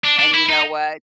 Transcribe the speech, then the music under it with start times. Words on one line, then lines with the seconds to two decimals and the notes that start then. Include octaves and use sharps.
and you know what?
0.04 D4
0.19 D4
0.34 E4
0.49 D#4